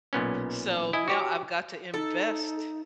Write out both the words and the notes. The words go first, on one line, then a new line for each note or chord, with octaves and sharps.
so, now I've got to invest
B1 A#2 B3 C#4
E4 D#5 G#5
F#4 G4 C#5
D#4 A4